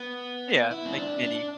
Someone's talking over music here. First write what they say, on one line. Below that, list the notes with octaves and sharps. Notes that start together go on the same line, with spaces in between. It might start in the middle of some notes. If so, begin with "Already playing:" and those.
Yeah, make many
Already playing: B3
E4
C4
D4
D4